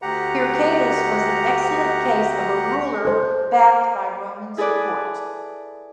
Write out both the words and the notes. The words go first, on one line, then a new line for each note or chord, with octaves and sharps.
Hyrcanus was an excellent case of a ruler backed by Roman support.
D2 G4 F#5 A#5
A4 C5
E4 G#4 A4 B4 D5